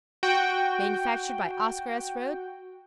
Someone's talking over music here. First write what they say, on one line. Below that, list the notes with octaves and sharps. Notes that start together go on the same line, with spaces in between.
Manufactured by OSCAR S. RHOADS.
F#4 G5